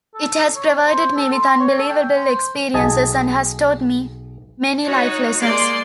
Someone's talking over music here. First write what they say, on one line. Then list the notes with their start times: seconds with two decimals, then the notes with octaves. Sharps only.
It has provided me with unbelievable experiences and has taught me many life lessons.
0.14 A4
0.55 C#5
0.86 C5
1.16 A4
1.32 C6
1.60 C#5
1.78 A4
1.90 G5
2.16 C5
2.74 B1 G#4 D#5 G#5 A5
4.86 D#4 F#4 C#5
5.40 G#3 A#3 D5 C6